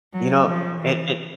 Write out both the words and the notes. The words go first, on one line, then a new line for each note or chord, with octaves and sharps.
You know, it it
F#3
F3
E3